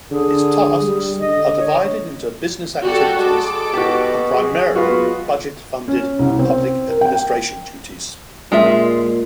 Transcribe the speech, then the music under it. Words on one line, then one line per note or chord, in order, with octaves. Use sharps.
Its tasks are divided into business activities and primarily budget-funded public administration duties.
D3 G#4
G3
D3 D#5
C#5
G3 F#4 G4 A4
G#3 A4 D6
B2 F#4 G4
F#3 G#4
G#3 B3 F4 F#4
C#4
C2
C4
A#4
G5
A#2 G#3 F4 E5